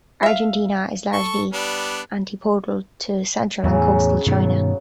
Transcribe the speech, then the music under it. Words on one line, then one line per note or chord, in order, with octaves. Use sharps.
Argentina is largely antipodal to central and coastal China.
E5 F5
A4 C#6
G3 B3 D4
E2 A2 C#3 F#3
G2 B2 D#3